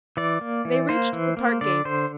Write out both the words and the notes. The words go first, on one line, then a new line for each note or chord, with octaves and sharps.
They reached the park gates.
E3 D5
A#3
E3
A#3 C5
E3
A#3
D3 D5
D3 C5